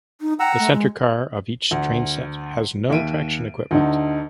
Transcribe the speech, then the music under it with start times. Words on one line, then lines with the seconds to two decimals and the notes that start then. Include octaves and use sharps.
The centre car of each trainset has no traction equipment.
0.21 D#4
0.40 F#5 G5 A#5 E6
0.59 A3
0.72 G#3
1.71 D2
2.90 D#2 E5 D7 D#7
3.71 D2 D3 D#4